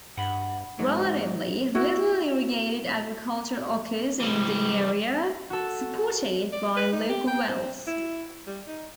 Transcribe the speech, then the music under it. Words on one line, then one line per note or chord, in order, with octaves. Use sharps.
Relatively little irrigated agriculture occurs in the area, supported by local wells.
G2 F#5 B5
G#2 E3 F#3
E4 F#4
E3 G3
F#4 A4
D5
B4
D#4
G4
G5
C4
E4
G3
D#4